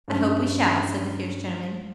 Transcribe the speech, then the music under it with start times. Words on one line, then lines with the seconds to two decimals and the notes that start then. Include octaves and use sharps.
'I hope we shall,' said the fierce gentleman.
0.08 G2 C#4 A5